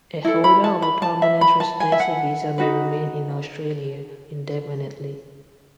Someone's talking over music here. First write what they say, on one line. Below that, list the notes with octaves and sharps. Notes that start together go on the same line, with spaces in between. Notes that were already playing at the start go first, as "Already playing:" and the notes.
A holder of a permanent residency visa may remain in Australia indefinitely.
E4 A4
B5
A5
B5
A5
E5
B5
A5
G#5
E5
F#5
D#4 F#4 B4